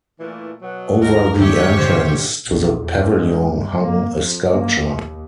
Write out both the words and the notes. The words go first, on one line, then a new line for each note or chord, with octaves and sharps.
Over the entrance to the pavilion hung a sculpture.
A#2 E3 A3
B2 F#3 F#5
D#2 A#4 A#5
E2 D#3 G#3 C4 D4 G4 C#5 E5
A#2 D3 C5 A#6
A#1
E2
G#3
G2
A#3
F2
A#3
D#2